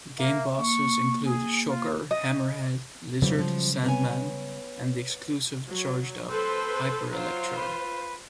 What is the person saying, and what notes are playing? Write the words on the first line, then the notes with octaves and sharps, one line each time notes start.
Game bosses include Shocker, Hammerhead, Lizard, Sandman and the exclusive charged-up Hyper-Electro.
A#3 E5
A#3 C#6
G#4
F4
D#5
F2 C#3 E3 F#3 G3
F3
B3 C#5 G#5
F#3
C4 A4 B4 C5
F#3 F4 C5
B4